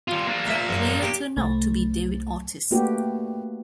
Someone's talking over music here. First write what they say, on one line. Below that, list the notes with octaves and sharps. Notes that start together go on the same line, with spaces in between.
That player turned out to be David Ortiz.
G3 F4
A#3 D4
E5
F#2
G4
C2 A3
A3 A#3 D4 F#4 G4 B4